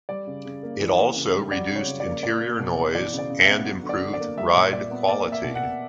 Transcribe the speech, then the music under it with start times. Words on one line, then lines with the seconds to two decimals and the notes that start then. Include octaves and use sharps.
It also reduced interior noise and improved ride quality.
0.09 G3 D5
0.27 C#3
0.45 C#3
0.63 A#3
0.80 E3
0.99 A#3
1.16 C#3
1.34 G3
1.51 F#3 D5
1.69 C#3
1.76 C#5
1.87 C#3
2.00 D5
2.05 A#3
2.23 A#3 D5
2.41 A#3
2.59 B2
2.77 B2
2.95 E3 D5
3.13 C#3
3.19 D5
3.30 C#3
3.42 E5
3.48 B3
3.65 F#3 F#5
3.83 D3
3.89 D5
4.01 D3
4.14 D5
4.20 A#3
4.37 G3 E5
4.55 A#2 E5
4.73 A#2 D5
4.90 B3
5.09 A#3 D5
5.26 A#3
5.32 E5
5.44 B2
5.55 F#5
5.62 B2